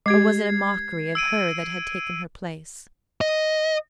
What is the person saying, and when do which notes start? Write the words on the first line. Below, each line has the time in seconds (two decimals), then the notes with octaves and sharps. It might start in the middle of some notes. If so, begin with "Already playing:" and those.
Or was it a mockery of her that had taken her place?
0.06 G#3 G4 G#6 C7
1.15 E6 D7 D#7
3.21 D#5